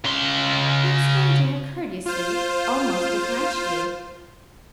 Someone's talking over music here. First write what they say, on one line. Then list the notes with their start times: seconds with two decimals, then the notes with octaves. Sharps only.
He explained to her courteously--almost deferentially.
0.05 C#3 C6
2.06 F4 C5